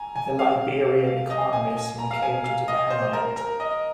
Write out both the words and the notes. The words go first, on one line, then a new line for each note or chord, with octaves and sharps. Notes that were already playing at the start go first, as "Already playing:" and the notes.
The Liberian economy soon came to depend on it.
Already playing: G#5 A#5
G#5
F5
F5
D#5
G#5
G#5
A#5
F5
G#5
F5
D#5
C5
A#4
A#4
D#5